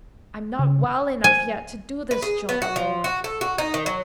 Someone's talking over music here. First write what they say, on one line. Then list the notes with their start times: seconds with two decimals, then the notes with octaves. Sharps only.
"I'm not well enough yet to do this job alone."
0.59 C#3
1.24 G#5
2.11 B4
2.22 G#4
2.49 B3
2.62 F#4
2.76 F3
3.04 F#4
3.24 A4
3.41 F#4
3.58 D#4
3.74 D#3
3.86 F#3